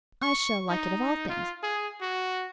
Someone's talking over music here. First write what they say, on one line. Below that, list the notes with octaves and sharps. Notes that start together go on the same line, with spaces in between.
I shall like it of all things.
C#6
D#4
F4
G#4
F#4